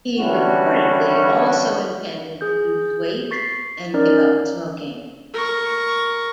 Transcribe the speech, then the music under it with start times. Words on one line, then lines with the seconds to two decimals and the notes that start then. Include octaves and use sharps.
He reportedly also intended to lose weight and give up smoking.
0.19 D3 E3 G3 C#4 F#4
2.41 G#4 G6
3.31 C#6 A6 B6 C7
3.94 C#4 D#4 A#4 D5
5.34 A#4 C#6